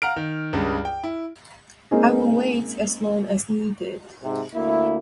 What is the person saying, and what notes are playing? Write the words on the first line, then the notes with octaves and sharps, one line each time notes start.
I will wait as long as needed.
F5 F#5 A#5 F6 D7
D#3
C#2 G2 C#3
G5
E4
G#3 A#3 C4 C#4 D#4 G#4
G#2 C3
D2 A#3 E4